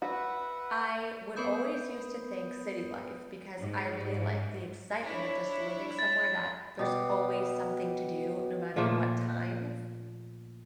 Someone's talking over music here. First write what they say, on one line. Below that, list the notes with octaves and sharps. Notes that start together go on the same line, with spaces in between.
I would always used to think city life because I really like the excitement of just living somewhere that there's always something to do no matter what time,
F#4 B4 E5 F#5
B3 A#4 B4 B5 D#6 G6
G#2
D4 E4 C#5
A6
B2 G4 D6
A#2 F3 A3 A#3